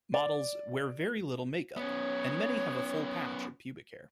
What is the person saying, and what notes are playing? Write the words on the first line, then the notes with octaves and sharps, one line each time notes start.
Models wear very little make-up and many have a full patch of pubic hair.
D5
B3 C#4 C#5